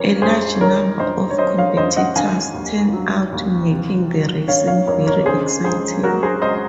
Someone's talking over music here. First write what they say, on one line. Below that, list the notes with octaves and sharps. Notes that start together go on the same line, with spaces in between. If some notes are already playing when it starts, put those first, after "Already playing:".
A large number of competitors turned out, making the racing very exciting.
Already playing: F2 C#3 F3 A#4 C#5
F2 G#4 C5
D#3 A#4 C#5
F2 C5 D#5
C#5
F#3 C5 D#5
C#5 F5
F2 C5 D#5
D#5 F#5
D#3 F5 G#5
D#2
F#3
D#2
C3
F#3
D#3 C#5 F5
C#5 F5
F2 A#4 C#5
A#4 C#5
C#3 G#4 C5
C#2 G#4 C5
F#3 F#4 A#4
G#4 C5
C#2 C5 D#5